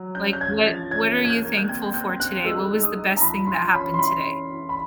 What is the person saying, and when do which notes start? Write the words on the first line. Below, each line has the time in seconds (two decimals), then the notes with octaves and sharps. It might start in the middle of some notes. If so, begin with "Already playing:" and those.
Like, "What what are you thankful for today? What was the best thing that happened today?"
Already playing: F#3
0.15 C#4 G6
0.33 G6
0.40 C#4 G#6
0.66 F3 A6
0.91 C#4 G#6
1.17 A#3
1.25 G#6
1.30 G6
1.43 A#3
1.57 G6
1.68 C4 G#6
1.94 C4 G6
2.19 C4 F#6
2.45 G#3 E6
2.71 D#4
2.83 D#6
2.96 D#4
3.17 A#5
3.22 F3 B5
3.47 F3 C6
3.73 C#4 B5
3.94 C6
3.98 E4 B5
4.24 C#4
4.50 E4
4.69 B5